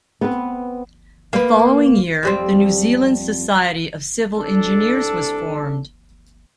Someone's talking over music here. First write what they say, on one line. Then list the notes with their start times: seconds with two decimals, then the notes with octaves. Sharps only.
The following year the New Zealand Society of Civil Engineers was formed.
0.21 B3 C4 B4
1.33 A#3 B4
2.23 F2 G3 C4
4.37 C2 D4 A4